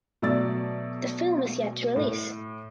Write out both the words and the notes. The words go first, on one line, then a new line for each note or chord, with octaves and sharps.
The film is yet to release.
B2 F#3 A3 D5 E6 A6
A2